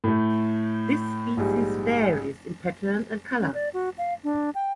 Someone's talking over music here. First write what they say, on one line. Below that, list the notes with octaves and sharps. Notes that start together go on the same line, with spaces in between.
This species varies in pattern and color.
A2 A3
A#1 G#2 G3
C#4
D5
F#4
F5
D4
G5